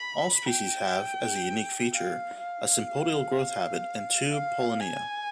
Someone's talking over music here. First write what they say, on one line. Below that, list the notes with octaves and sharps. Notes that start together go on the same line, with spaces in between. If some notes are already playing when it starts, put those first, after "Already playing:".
All species have, as a unique feature, a sympodial growth habit and two pollinia.
Already playing: B5
G5
F5
F5
F5
G#5